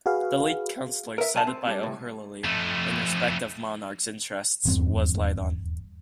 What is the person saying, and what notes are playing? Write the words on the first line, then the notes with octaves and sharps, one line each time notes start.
The lead councillor cited by O'Herlihy in respect of Monarch's interests was Lydon.
F#4 G#4 B4 F5
A#4 E5
B1 G#5 A5
C4
G3
A2 C3
F2 A3
D#1 E2 G2 C4